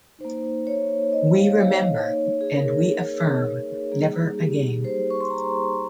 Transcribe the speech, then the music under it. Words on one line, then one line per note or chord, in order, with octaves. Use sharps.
We remember, and we affirm: never again.
A#3 D#4 C5
C#5
D#5
F5
F5
D#5
A#3 D#4 C#5
G#4
A#4
G3 A#3 D#4 G#4
G4
C5
C#6
C6
A#5